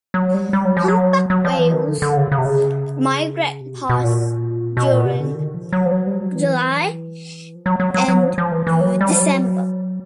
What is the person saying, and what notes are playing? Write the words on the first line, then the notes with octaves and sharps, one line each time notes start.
Humpback whales migrate past during July and December.
F#3
G3
G3
F#3
F3
F#3
F#3
F3
E3
D#3
D3
D3
C#3
C#3
C3
C#3
C3
B2
B2
A#2
B2
A#2
C3
D3
D#3
F3
F#3
F3
F#3
G3
F#3
E3
F3
F#3
F#3
F#3
F#3
F3
F3
E3
E3
F#3
G3
F3
F#3